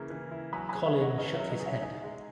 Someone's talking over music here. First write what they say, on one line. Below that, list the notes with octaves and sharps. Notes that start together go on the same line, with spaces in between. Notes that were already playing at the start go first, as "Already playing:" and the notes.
Colin shook his head.
Already playing: C#3 E3 A#3 E4
E3
E4
F#3 G#5 B5
G#5 B5
G#4
E5 G#5
C#4 D#5 F#5
C#3 B4 D#5
C#5 E5
F#3
B4 D#5
G#4
C#5 E5
D#4 E5 G#5
G#3